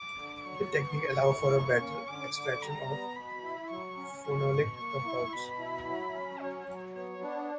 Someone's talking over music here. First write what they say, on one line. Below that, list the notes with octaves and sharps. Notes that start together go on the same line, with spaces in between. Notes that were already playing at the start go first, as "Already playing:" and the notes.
The technique allows for a better extraction of phenolic compounds.
Already playing: D6
D3
F#3 C#6
B3
D3
E4
A#3
C#4
D3 D6
D3
G3 A#5
B3
B2 B5
E4
F#3 C#6
C#4
B2 C#6
B2
A#3 C#6
E4
B2 B5
E4
F#3
C#4
F#3 C#5
F#3
B3 C#5
D4